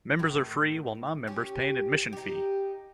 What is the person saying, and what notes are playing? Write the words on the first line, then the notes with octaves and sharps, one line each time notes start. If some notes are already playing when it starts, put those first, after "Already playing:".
Members are free, while non-members pay an admission fee.
A2 D#3
C#4 G4
D#4 G4